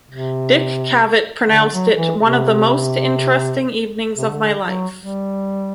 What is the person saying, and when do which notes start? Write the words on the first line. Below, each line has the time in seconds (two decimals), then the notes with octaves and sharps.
Dick Cavett pronounced it "one of the most interesting evenings of my life".
0.10 C3
1.49 D3
1.73 F#3
1.96 E3
2.19 C3
4.17 C3
4.29 D3
4.63 F#3
4.98 G3